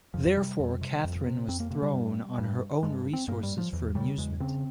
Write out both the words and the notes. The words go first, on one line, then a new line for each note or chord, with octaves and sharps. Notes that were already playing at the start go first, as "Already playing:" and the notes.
Therefore Catherine was thrown on her own resources for amusement.
F2 F3
C3 G3
F2
C3
F2
C3
F2 C4
A#3
C3 A#3
G3
G2
G2
G2 G#3
C4
G2 A#3
G3
F3
E2 E3
C#3 G3
E2 G#3
C#3 C4